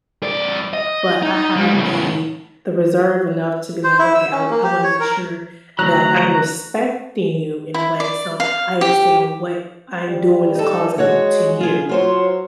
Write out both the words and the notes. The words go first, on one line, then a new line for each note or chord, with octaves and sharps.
but I have the the reserve enough to be like, "Okay, I w I wanna make sure that I'm respecting you, in a way, so I understand what I'm doing is causing, to you."
F2 D5
D#5
D#4
G3 G#3
A2 C#3
C5
E4
E6
C#4
A#3
G4
C#5
A#4
D2 F#3 A#5 F#6
E4
D5
F5
G4
G3
D#4 A4
G#3 F#4 C#5 F#5
F4 G#4
F#3 F4 C5 C#5